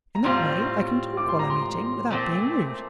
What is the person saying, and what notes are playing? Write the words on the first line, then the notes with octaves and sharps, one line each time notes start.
In that way I can talk while I am eating without being rude.
A#5
A2 G3 C4 F4 C6
D6
C6
A#5
C6
A#2 A3 C4